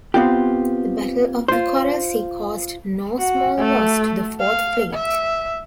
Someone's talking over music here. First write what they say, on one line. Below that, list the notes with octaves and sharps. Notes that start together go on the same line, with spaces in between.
The Battle of the Coral Sea caused no small loss to the Fourth Fleet.
B3 C4 F4 G4
F4 C5
F#4
A3
F5
E5